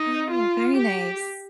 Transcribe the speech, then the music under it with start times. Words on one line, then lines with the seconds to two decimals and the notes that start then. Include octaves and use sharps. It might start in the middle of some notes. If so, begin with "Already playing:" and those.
Oh, very nice.
Already playing: D#4
0.30 F4
0.77 G4